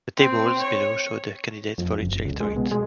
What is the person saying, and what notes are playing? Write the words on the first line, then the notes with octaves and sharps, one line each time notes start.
The tables below show the candidates for each electorate.
C4
C#5
F2
F#1
C#2
G#3
B2
G#3